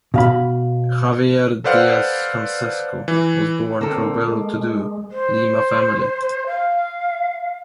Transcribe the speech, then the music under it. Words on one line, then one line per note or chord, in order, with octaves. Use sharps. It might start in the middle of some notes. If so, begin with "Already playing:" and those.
Javier Diez Canseco was born to a well-to-do Lima family.
B2 F5 B5
A4 B4 C5 D5 F5 F#5
E3
D3 A#3 C4 A4
G#3
C5
F5